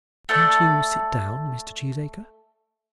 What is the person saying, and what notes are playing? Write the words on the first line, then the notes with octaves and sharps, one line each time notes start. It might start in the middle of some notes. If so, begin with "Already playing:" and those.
"Won't you sit down, Mr. Cheesacre?"
A3 A4 D5